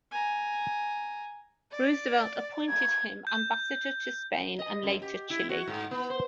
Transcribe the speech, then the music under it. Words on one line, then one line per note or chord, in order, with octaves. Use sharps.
Roosevelt appointed him ambassador to Spain and later Chile.
G#5 A#5
D5
G#6
G6
D#5
F#2
G4
E4
F#4
G#2
B3
C5